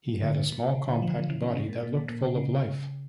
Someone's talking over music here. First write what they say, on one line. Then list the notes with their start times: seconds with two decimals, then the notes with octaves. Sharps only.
He had a small, compact body that looked full of life.
0.21 A#2 D3
0.49 A#2
0.75 C#3
0.89 A#2 D3
1.02 D3 F3
1.15 D3 F3
1.29 C#3 E3
1.42 C#3 E3
1.55 C#3
1.69 A#2
1.83 A#2
1.96 A#2
2.09 A#2
2.23 C#3
2.36 C#3